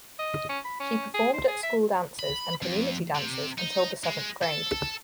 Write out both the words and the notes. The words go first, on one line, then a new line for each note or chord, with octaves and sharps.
She performed at school dances and community dances until the seventh grade.
D#5
C#4
B5
C#4
G#4
C5
G#4
E5
B5
F2
C3
D#4
G#3
A4